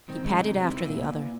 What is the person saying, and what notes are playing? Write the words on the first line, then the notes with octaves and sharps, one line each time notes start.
He padded after the other.
D#3 C4
C#3 G#3
C3 D#4
C3 C4
E4
A#2 B3